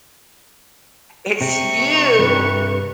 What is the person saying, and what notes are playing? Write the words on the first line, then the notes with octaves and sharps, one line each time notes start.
it's you
C3 C4 C#6
G2 C3 G3 B4